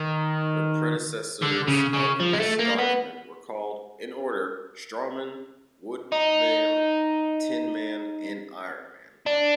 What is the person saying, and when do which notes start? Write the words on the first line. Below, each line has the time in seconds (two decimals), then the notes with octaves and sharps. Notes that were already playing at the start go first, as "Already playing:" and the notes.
The predecessors of this document were called, in order, "Strawman", "Woodenman", "Tinman" and "Ironman".
Already playing: D#3
1.42 D3
1.67 C#3
1.94 C#3
2.20 F3
2.33 G#3
2.39 A3
2.59 A#3
2.78 B3
6.12 D#4
9.26 D4